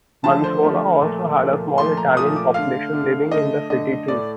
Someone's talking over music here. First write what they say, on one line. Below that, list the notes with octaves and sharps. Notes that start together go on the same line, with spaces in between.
Mansoura also had a small Italian population living in the city too.
D3 F3 A3 A5
C5
D3 F3 A3
A#2 F3 A3
A#2 F3 A3
A#2 F3 A3 C6
A#5
A#2 F3 A3 D#6
D6
D3 A3 F5
D3 A3
D3 A3 D#5
D3 A3 D#5
A2 A3 D5